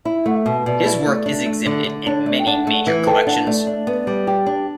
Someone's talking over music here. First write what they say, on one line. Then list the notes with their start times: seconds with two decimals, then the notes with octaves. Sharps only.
His work is exhibited in many major collections.
0.05 E4 E5
0.26 A3 F#5
0.36 E5
0.46 B2
0.66 B2 D5
0.86 E4
1.06 A3
1.26 D4
1.46 A3
1.66 D3
1.86 D3
2.06 D4 C#5
2.26 A3 D5
2.39 G5
2.47 D4 F#5
2.67 A3
2.87 E3
3.06 A4 G5
3.27 D4 F#5
3.47 A3 D5
3.67 D4
3.87 B3
4.07 G3
4.27 G4
4.46 D4